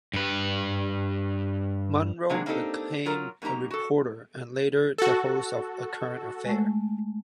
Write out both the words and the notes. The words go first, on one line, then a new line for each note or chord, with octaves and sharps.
Munro became a reporter and later the host of "A Current Affair".
G2 B4
C3 F#3 G#3 A#3 D4
A#3 C4 D4 D#4 G4 A4
F#3 F4 A#4 A#5
F#2 A#3 D#4 G4 A#5
F#4 A4
F#4 A4
G#3 A3